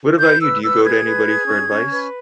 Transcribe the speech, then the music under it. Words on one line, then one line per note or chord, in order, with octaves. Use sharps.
what about you? Do you go to anybody for advice?
B4 G6
B4 E6
B4 E6
G#4 G#6
B4
G#4
C#4
C#4
B4